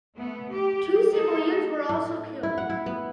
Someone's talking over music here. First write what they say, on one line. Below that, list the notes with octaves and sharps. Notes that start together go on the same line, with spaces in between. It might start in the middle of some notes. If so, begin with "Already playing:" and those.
Two civilians were also killed.
A3 B3
G4
A#3 D#4 G#4 A4
A2
E4
F#5
E4
B3